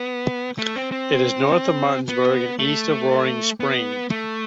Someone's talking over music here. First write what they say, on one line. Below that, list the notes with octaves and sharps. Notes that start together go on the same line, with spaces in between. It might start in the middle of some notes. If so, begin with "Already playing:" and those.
It is north of Martinsburg and east of Roaring Spring.
Already playing: B3
A3
C4
C4
B3
A3
B3
A3